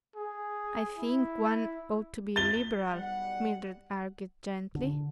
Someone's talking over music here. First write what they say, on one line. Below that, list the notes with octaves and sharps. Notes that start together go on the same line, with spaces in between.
"I think one ought to be liberal," Mildred argued gently.
G#4
E4
A6 G7
B1 G3 F#5
D3